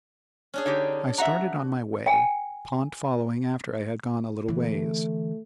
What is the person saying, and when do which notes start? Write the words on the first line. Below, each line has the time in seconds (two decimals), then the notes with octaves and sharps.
I started on my way, Pont following after I had gone a little ways.
0.54 C#4 D4 G#4
0.66 D3 D#4 G4
1.18 F#4 E5 F#5 A#5
2.06 G5 G#5
4.48 D3 E3 A3